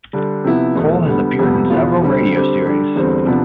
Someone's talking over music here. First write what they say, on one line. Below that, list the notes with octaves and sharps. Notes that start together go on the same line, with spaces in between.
Cole has appeared in several radio series.
D3 G3 D4
C3 F3 B3 E4
E2 B2 A3
D3 G3 B3
F2 C3 G3 B3
E2 B2 B3 F4
D3 G3 C4 G4
D3 G3 C4 G4
D3 G3 D4 G4
E2 D3 G3 C4
C3 F3 B3 D4